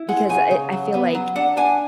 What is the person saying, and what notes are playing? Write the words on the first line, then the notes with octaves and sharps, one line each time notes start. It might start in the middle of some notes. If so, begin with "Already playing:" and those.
because, uh, eh, I feel, like,
Already playing: E4
G#3 F#5
C#3 G#5
C#3
F#3
B3
F#3
D4 F#5
D4 G#5